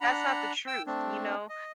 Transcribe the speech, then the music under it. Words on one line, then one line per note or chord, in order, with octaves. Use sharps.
that's not the truth. You know,
D4 F#5 A#5 B5
G5 E6
A3 C4 D4
D#5